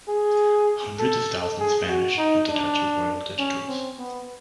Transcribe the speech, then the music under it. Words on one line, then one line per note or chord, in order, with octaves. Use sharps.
Hundreds of thousands vanish at the touch of royal digitals.
G#4
A4
G#4
F#4
D#4
D4
C#4
C4
B3